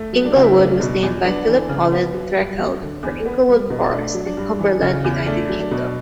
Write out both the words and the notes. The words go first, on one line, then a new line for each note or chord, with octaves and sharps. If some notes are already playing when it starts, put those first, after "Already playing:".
Inglewood was named by Philip Colin Threkeld for Inglewood Forest in Cumberland, United Kingdom.
Already playing: A3
F#3
D4
C#3 F#4
E4
A3 D4
B2
E2
B3 D4
E3
C#3
B3
F#3
G2
F#3
D3
E2
B3
G3
B2
A3 D4
F#3
D4
G2
E3
C#3
E2
A3 D4
F#3
D4
B2